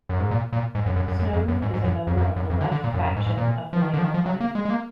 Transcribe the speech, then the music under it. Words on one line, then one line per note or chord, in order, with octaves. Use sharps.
Snowdon is a member of the Left faction of the Labor Party.
F#2
G#2
A#2
A#2
G#2
F#2
F#2
F#2
F#2
F2
F#2
G#2
G#2
F#2
F2
F2
F#2
F#2
F2
D3
D3
A#2
F#2
F#2
G#2
G#2
A#2
F3
D#3
D3
F3
D#3
F3
F#3
A#3
G#3
G#3
A#3